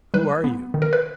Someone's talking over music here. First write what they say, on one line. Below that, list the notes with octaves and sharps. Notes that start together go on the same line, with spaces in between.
"Who are you?"
G3 B4
B3
D#3
A#4
B4